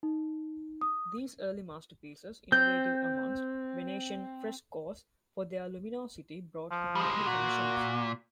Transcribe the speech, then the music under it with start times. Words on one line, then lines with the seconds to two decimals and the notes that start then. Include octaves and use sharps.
These early masterpieces, innovative amongst Venetian frescoes for their luminosity, brought him many commissions.
0.03 D#4
0.81 D#6
2.52 C4 G6
6.70 F3
6.95 G3 G#3
7.26 A#2 F#4